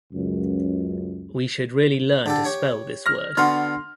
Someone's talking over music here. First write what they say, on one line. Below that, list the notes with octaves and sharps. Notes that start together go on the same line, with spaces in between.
We should really learn to spell this word.
C#2 F#2
D3 G4 A4
G4 C#5
F6 A#6
D3 B3 F#4 C6 F6